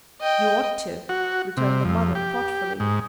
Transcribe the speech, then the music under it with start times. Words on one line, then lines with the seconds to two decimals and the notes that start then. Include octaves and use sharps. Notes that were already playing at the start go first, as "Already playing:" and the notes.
"You ought to," returned the mother, thoughtfully.
0.21 D#5 G5
1.09 F#4
1.57 C3
1.85 F2
2.15 G4
2.80 G#2